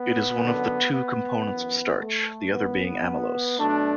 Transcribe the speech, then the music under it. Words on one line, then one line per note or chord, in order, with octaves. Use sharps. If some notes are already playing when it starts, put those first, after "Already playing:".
It is one of the two components of starch, the other being amylose.
Already playing: B3
F#2 D3 F#3
B3
F#2
E3
A3
F#2 E3 B3
B2 F#3 A3 D4